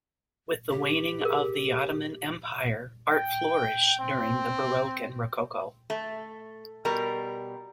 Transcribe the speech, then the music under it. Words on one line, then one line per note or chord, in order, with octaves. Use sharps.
With the waning of the Ottoman Empire, art flourished during the Baroque and Rococo.
G4
G#4 A#4
G5
C4
A3
B2 G3 A#4